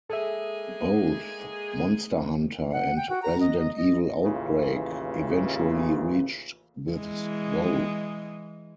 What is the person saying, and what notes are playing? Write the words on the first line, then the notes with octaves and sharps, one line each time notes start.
Both "Monster Hunter" and "Resident Evil Outbreak" eventually reached this goal.
G#3 A#3 G#4 A4 E5
F#5
G5
F#4
A#5
D#5
D#5
D#5
A1 D#2 C#3 E3 F4
E3 G#3